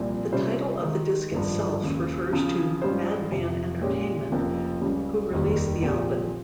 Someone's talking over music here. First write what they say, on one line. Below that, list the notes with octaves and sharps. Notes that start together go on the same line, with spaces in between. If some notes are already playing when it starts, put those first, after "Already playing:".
The title of the disc itself refers to Madman Entertainment, who released the Albun.
Already playing: C2 A#2 F3 C4
C3 G3 C#4 F4 C5
D#3 G#3 D#4
G#1 G2 F3
D#2 C#3 G#3
C#3 F3 C4
G#2 G3 C#4 F4 C5
F2 C3 F3
A#2 G#3 C#4 G4 C#5
F1 F2 C#3 F3 A#3
C#2 C#3 G3 C#4
F1 D#2 D#3 G3
A#1 A#2 F3 C4 G4